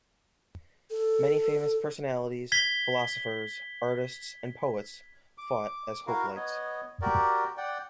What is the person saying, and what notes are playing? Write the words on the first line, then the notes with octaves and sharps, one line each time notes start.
Many famous personalities, philosophers, artists, and poets fought as hoplites.
A4
G#6 B6 G7
D6
E4 F#4 A#4 F5
B3 C#5 D#5
F#4 G4 A#4 D5
D5 F#5 G5